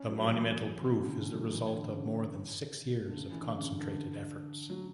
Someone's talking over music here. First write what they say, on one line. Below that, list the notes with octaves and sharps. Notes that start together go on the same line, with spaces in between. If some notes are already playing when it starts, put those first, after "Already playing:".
The monumental proof is the result of more than six years of concentrated efforts.
Already playing: C#4
F#3
F#3
E3
B2
C#3
D3
E3
F#3
E3
D3
C#3
D3
C#3
E3
D3
C#3
D3
F#3